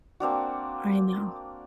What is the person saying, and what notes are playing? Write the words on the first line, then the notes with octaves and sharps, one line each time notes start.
I know.
A#3 C4 D4 F#4